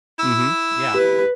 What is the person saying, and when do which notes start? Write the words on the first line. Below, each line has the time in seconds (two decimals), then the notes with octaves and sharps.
Mhm. Yeah.
0.19 E4 E6
0.94 G4 B4